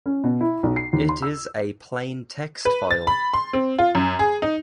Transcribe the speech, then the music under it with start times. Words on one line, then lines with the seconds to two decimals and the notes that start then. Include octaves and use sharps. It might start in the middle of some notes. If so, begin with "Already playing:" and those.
It is a plain text file.
0.06 C#4
0.24 B2
0.41 E4
0.63 B1
0.76 C7
0.93 D#2
1.09 C6
1.22 E6
2.65 B4
2.91 A6
3.07 B5
3.34 C6
3.53 C4
3.79 F4
3.95 F#2
4.19 G#4
4.42 D#4